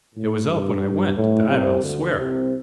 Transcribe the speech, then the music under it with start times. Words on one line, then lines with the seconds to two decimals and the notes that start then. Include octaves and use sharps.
'It was up when I went, that I'll swear.
0.16 A2
0.49 G2
1.16 A2
1.49 C2 C3
1.82 D2 D3
2.16 C2 C3